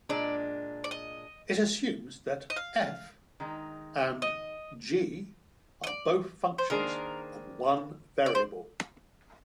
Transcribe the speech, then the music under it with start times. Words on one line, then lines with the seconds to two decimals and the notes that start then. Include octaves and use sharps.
It assumes that "f" and "g" are both functions of one variable.
0.09 A#2 G#3 D4 D5
0.84 D5
0.91 D#5
2.50 D#5
2.56 F5
3.40 D#3 G#3 D#4
4.22 D#5
5.84 D#5
5.87 D5
6.58 C5
6.70 D#3 A#3 D4 G#4 A#4 C5
8.26 D5
8.35 C5